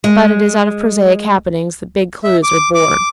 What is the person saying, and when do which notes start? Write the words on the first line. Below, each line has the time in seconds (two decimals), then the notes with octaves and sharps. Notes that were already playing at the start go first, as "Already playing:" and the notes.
But it is out of prosaic happenings that big clues are born.
0.04 G#3
2.24 E5
2.43 D6
2.74 D6